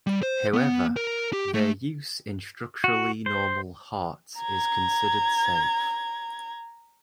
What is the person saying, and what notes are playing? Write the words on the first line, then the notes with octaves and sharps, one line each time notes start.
However, their use in structurally normal hearts is considered safe.
G3
C5
B3
A#4
G4
A3
F#4
C5
A#5 G#6